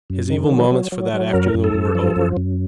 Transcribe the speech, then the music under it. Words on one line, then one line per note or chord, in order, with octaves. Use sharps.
His evil moments for that afternoon were over.
F#2
D#3
F#3
F#3
F#3
F#3
F#2 A#4
F#2
A4
F#2
F3
F#2
F#2